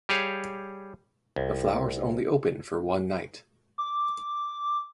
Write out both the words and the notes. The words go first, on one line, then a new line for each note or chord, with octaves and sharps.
The flowers only open for one night.
G3 G4 G#4 C#5 F5
C2
D6